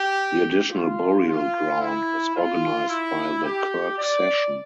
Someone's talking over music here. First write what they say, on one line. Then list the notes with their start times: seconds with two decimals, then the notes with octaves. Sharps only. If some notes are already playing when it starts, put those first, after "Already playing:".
The additional burial ground was organised by the kirk session.
Already playing: G4
0.73 F4
1.27 F4
1.81 E4
2.35 F4
2.89 E4
3.43 G4
3.98 D5